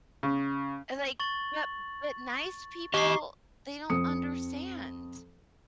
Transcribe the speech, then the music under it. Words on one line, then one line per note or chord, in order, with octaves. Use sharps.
Like, but but nice people, they don't understand.
C#3
C#6 A6 F#7
G4 D#5 C#6 D6 C7
F2 D#6 C#7